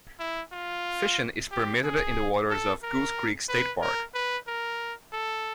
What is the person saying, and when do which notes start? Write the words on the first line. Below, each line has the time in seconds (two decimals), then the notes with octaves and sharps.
Fishing is permitted in the waters of Goose Creek State Park.
0.19 E4
0.52 F4
1.51 G4
1.84 G#4
2.50 A4
2.83 A#4
3.49 B4
3.81 A#4
4.14 B4
4.48 A#4
5.13 A4